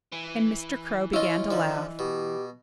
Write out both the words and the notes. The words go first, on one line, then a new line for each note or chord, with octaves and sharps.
And Mr. Crow began to laugh.
E3
C#4 E4 F4 D#5
D3 F3 D#4
B2 G4